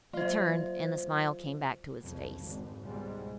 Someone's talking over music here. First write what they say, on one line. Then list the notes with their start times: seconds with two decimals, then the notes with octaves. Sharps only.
He turned, and the smile came back to his face.
0.13 F#3 F4 C5
1.99 C2 F2 C#3
2.37 G#1
2.81 C#2 G#2 B2 G3 G#3